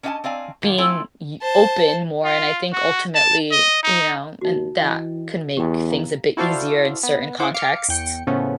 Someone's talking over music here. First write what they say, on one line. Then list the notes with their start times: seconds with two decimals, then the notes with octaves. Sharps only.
being y open more and I think ultimately, you know and that can make things a bit easier in certain contexts.
0.03 C#4 D4 D#5 F5 G#5 A5
0.24 C4 D5 F5 G#5
0.62 A#2 D#3 A#3
0.78 A3 C4 E4 F4 G#5
1.42 C5 A5
2.25 F4
2.73 F#4
3.15 A5
3.51 D#5
3.83 D#4
4.41 D#2 D#4 F#4
4.80 E3 D#5 G5
5.57 E2 G4 G5
5.88 F5 A#5
6.37 E4 F#4 A4 C5 D5 F5
7.03 B3
7.39 E4 C5 F#5 D6
7.54 F5 D6 C#7
7.88 E2 G5 C#7
8.27 A2 C#3 F3 A3 B3 C#4